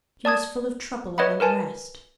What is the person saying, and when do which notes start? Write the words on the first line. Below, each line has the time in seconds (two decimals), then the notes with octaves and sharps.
She was full of trouble and unrest.
0.25 D5 A5 D#6 G#6
1.18 B4 C#5 D#5 E5 F#5 B5
1.40 A#4 B4 G#5 A5